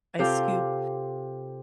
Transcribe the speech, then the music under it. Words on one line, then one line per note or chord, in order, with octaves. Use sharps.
I scoop
C3 F4 A4 F5 G5 D6